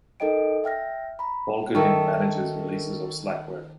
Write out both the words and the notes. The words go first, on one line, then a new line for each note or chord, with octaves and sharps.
Volkerding manages releases of Slackware.
D#4 A4 A#4 D#5 G5 D7
E5 G5 F6 A#6
A#5 B5
D#3 A3 A4 A#4 C#6